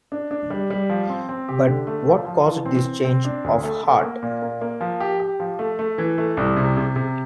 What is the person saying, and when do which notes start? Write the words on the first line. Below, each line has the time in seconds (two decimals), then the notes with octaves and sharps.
But what caused this change of heart?
0.12 D4
0.31 D4
0.50 G3
0.70 G3
0.89 F3
1.09 C4
1.29 C4
1.48 G4
1.68 D3
1.87 A3
2.07 F3
2.26 F3
2.46 E3
2.65 C4
2.85 C4
3.05 C4
3.25 D4
3.44 D2
3.63 A3
3.83 A3
4.03 A#3
4.23 A#2
4.42 A#3
4.61 A#3
4.81 F3
5.00 G4
5.20 G4
5.40 F3
5.59 A3
5.79 A3
5.98 E3
6.18 A3
6.37 C2
6.57 C3
6.77 C3
6.96 C3